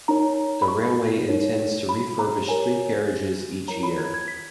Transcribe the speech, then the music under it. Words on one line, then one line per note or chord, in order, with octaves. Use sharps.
The railway intends to refurbish three carriages each year.
D#4 A#4 C#5 A#5
B5
C#6
D#4 A#4 C#5
B5
A#5
G4 A#4 C#5 G#5
E4 A#4 C#5 A#5
B5
G#6
G#6
B6